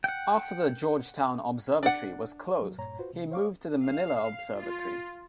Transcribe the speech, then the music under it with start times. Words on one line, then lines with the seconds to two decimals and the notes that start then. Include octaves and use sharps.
After the Georgetown Observatory was closed he moved to the Manila Observatory.
0.04 F#5 G5
1.83 D4 F#5
2.62 F#3
2.78 G2 A#2 C#5 A#5
2.99 F4 F#4 B4 C5
3.14 C3
3.31 C5 C#5 F5 C#6 D6
3.85 F5
4.58 F4